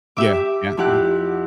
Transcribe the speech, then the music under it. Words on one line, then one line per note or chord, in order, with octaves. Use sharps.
Yeah, yeah, yeah.
G4 E5 D6
F2 E4 G4 F#5 F#6